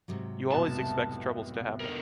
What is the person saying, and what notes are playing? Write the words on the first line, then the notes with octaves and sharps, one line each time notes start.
You always expect troubles to happen.
G#2 C3 F#3
F1 C2 B2 A5
D3 A#4